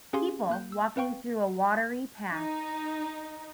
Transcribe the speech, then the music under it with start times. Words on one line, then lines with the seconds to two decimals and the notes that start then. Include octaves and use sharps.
People walking through a watery path.
0.13 C#4 G4 G#4 F5 G#5 C6
0.50 A#3 F#6 G6
0.72 E6
0.96 C4 B4 F5 G5 C#6
2.31 D#4